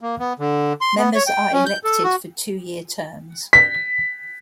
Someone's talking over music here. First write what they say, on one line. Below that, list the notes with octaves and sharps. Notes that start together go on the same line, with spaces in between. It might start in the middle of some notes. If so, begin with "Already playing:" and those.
Members are elected for two-year terms.
A#3
B3
D3
C6
B3
C#5
G5
C#4
G6
A4
F#4
B6